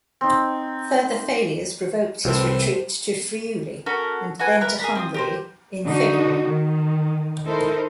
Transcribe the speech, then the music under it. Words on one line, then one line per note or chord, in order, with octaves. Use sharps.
Further failures provoked his retreat to Friuli, and then to Hungary, in February.
C4 D#4
C2 A2 E3 C4 C5
C#4 F#4 A4 A#4
F#4 A4 B4 G#5
E4 A#4 B4
G#4 A#4 B5
C4 F4 D#6
G4 A#4 C5
D3 D#4 F#4
D#3
D#4 E4 A4 A#4 C5